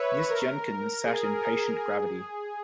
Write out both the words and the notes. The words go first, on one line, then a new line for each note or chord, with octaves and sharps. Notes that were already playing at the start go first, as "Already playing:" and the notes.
Miss Jenkyns sat in patient gravity.
Already playing: B4 C#5 E5
A#4
G#4
A#4
G#4